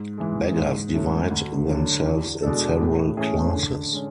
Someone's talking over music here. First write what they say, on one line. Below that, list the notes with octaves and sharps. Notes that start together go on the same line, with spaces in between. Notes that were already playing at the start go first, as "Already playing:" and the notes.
Beggars divide themselves in several classes.
Already playing: G#2
E3 G#3
G#2
F#3 A3 C#4
D2
D3 F#3
E2
B2 G#3 D4 A4
A2
E3 A3 C#4 G#4
D3
G#3 C#4